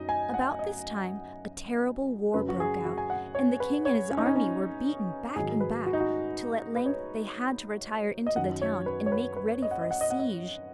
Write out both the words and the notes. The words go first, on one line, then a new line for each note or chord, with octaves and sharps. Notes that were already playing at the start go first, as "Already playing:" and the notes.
About this time a terrible war broke out, and the king and his army were beaten back and back, till at length they had to retire into the town, and make ready for a siege.
Already playing: F#2 F#3 D#4 D#5
G#5
F#5
D#5
F#2 C#3 F#3 B4
F#4
G#4
F#4
G#5
F#5
C#5
B4
C#5
C#4
D#4
C#4
C#4
G#2 D#3 F#3 G#4
B4
F#4
D#4
F#4
B4
C#5
D#5
F#2 D#3 F#3 F#5
C#5
B4
C#5
B4
B4
D#5
F#5
D#5
F#5
D#5
F#5
D#5